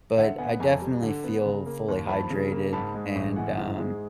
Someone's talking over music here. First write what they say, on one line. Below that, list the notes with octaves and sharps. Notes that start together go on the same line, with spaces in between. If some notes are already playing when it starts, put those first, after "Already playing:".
but I definitely feel fully hydrated, and um
D3 E5 F#5
B3 F#5 G#5
F2 G#5 A#5
G3
D3
B3
C#3
A#3
D#2
F3 A5 B5
C#3
A#3
G#2 A5 B5
G#3
A1
E3 F#5 G#5
G#2
G#3